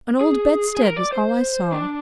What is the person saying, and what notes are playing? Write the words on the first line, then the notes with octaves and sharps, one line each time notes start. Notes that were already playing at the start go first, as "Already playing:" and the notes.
An old bedstead was all I saw.
G#4
G#4
A#4
D5
C5
D4